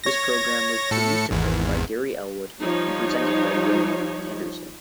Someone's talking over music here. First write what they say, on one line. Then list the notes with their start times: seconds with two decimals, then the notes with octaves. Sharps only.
This programme was produced and written by Gary Ellwood and presented by Graeme Anderson.
0.04 C#5 A#6
0.91 A2 A4 C#7
1.31 G#1 E2
2.60 F3 G3 D#4 C#5